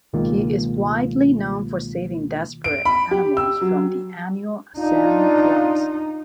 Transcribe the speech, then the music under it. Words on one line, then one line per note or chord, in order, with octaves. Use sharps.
He is widely known for saving desperate animals from the annual Assam floods.
C#2 B2 D#3 G#3 A#3 F4
D7
B5
G4
E6
F#3
D4 D#4 F4